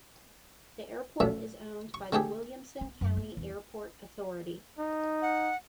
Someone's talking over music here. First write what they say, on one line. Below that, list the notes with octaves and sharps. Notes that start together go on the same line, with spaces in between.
The airport is owned by the Williamson County Airport Authority.
F#2 A#2 A3 E5
C#6
D3 A3 G4 G#4
B3
F#2
A#3
E2
D#4
F#5